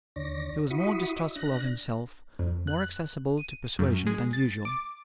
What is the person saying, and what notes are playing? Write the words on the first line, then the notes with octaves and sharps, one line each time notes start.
He was more distrustful of himself, more accessible to persuasion than usual.
D#2 D3 C#5 D5 A#6
E4 F#4 B5 C#6 D#6
D#5 E5
D4 F#6 A#6
F2
F#6
D#7
F#2
G#3
A6
D6